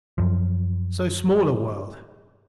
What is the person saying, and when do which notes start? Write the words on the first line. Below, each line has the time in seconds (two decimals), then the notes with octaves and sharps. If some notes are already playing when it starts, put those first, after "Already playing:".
So small a world!
0.18 F#2 F3